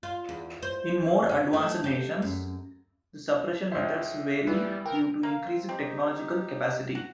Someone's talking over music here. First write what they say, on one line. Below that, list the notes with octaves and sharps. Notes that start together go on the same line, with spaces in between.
In more advanced nations, the suppression methods vary due to increased technological capacity.
F4
E2
C5
C#4
A3
G4
F#2
C#2 C5 E5
E3 G3 B3
A#4 G5
A#3 F5
C4
C4 D#4 G4
F#4